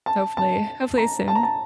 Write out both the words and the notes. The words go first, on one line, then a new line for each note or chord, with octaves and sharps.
hopefully, hopefully soon.
A5
A5
A#5
A5
A#5
A5